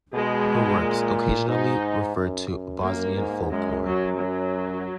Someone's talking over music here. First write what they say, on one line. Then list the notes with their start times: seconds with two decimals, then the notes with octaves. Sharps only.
Her works occasionally refer to Bosnian folklore.
0.14 B2 G#3
0.81 A#2
1.48 G#2 D#4
2.16 F#2
2.49 F#2
2.83 F#2 A#3
3.17 G#2
3.50 F#2 G#3
3.84 F#3
4.19 F#3